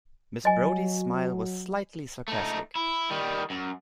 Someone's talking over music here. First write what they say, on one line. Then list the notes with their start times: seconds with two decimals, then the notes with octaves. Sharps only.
Miss Brodie's smile was slightly sarcastic.
0.45 F#3 D#5 G#5
2.28 A3 D#4
2.75 E4
3.10 D#3 G3
3.50 F#2